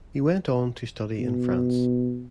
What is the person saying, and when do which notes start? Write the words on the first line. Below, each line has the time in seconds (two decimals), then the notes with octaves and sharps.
He went on to study in France.
1.19 B2